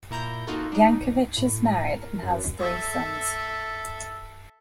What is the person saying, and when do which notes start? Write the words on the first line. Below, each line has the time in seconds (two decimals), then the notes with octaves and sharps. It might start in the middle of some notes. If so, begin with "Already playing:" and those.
Yankevich is married and has three sons.
0.11 A#2 E4 A#5 G6
0.47 A#3 D#4 F4 F#4 A4
0.72 D4 D#4
1.00 B1
1.37 A2
1.63 G#5
1.90 A#4
2.22 F#2
2.60 A4 E5